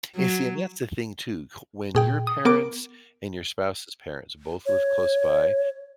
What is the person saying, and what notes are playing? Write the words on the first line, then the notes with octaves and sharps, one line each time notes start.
And see, and that's the thing too, c when your parents and your spouse's parents both live close by,
F#3
A#2 G#4 G5
D#6
B3 A#4 D6 D7
C#5